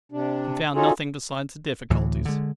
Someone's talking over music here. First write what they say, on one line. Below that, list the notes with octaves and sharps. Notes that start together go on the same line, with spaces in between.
'And found nothing besides the difficulties?'
C3 D4
C#4 D#4 F4 F#4 G#4 A4
D2 A2 E3
D3 G#3